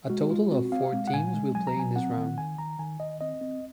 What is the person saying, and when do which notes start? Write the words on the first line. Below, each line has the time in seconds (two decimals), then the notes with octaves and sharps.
A total of four teams will play in this round.
0.10 G#3 F#4
0.30 G#3 F4
0.51 C4 F#4
0.72 C4 F5
0.93 G#3
1.08 F#5
1.13 A#2 G#5
1.34 G#3
1.55 F#3 G#5
1.67 A#5
1.76 F#3 G#5
1.96 C4 F#5
2.17 D#3
2.38 D#3 G#5
2.58 D#3 A#5
2.79 D#3 G#5
3.00 D#3 D#5
3.21 C4 D#5
3.41 C4